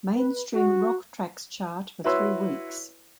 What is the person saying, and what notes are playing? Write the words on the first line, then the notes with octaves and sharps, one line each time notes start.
Mainstream Rock Tracks chart for three weeks.
B4
F#4
E4 F#4 B4 C#5 C6 E6